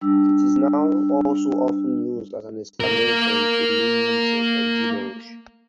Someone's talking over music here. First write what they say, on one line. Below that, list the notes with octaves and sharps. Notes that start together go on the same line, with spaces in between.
It is now also often used as an exclamation to mean nonsense or gibberish.
G3 D4 E6
A#3 A#4